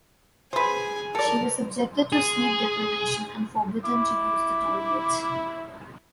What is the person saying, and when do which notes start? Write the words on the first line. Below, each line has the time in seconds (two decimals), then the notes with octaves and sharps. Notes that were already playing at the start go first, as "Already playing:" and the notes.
She was subjected to sleep deprivation and forbidden to use the toilet.
0.53 G#4 B4 C5 G#5
1.15 A4 A#4 D5
2.12 G#4
3.85 E4 D6